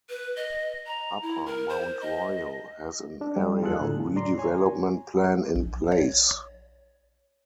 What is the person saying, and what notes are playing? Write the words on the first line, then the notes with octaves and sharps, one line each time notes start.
Upper Mount Royal has an area redevelopment plan in place.
B4
D#5
A#5
E4
A#4
C5
D#5
D4
G3
F2 F4 G#4 A4 F#6
A2 D3
D5 A#5 C6
C#5 G#5
A#1
C#5